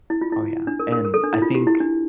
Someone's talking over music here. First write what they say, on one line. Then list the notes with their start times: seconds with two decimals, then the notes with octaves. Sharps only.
Oh, yeah, and I think,
0.10 E4
0.21 F4
0.32 E4
0.67 D4
0.80 A#4
0.92 A#4
1.05 A#4
1.14 A4
1.23 D4
1.33 E4
1.42 F4
1.55 G4
1.67 E4
1.80 D4